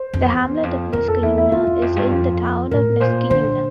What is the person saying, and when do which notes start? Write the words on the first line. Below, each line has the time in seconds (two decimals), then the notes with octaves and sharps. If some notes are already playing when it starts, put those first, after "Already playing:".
The hamlet of Niskayuna is in the town of Niskayuna.
Already playing: C5
0.13 F2
0.33 E2
0.63 F2
0.93 F2 A#4
1.08 A4
1.22 E2 E4
1.38 E4
1.52 E2 F4
1.67 E2
1.82 F2
1.96 G2
2.11 F2
2.71 A2 A#4
3.00 A#2 C5
3.30 D3 C5